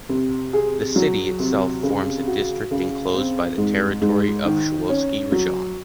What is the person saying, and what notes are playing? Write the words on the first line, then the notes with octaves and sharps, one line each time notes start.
The city itself forms a district enclosed by the territory of Sowetski Rajon.
C3
G#4
F#3
C3
C#3
F#4
C#3
C4
G#2
G#2
D#3
C#4
F#3